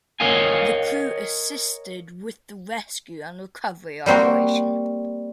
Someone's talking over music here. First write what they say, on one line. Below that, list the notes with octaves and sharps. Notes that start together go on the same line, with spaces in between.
The crew assisted with the rescue and recovery operation.
A#4 C#5 D#5 F5 G#5
G3 A#3 C4 F#4